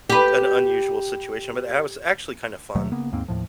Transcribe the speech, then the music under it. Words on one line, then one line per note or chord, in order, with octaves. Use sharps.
an unusual situation, but that was actually kinda fun.
G4 B4
D#2 B2 F#3 A3
C#3 A#3 B3
D#2 G#2 A#3 C4
D#2 A2 F3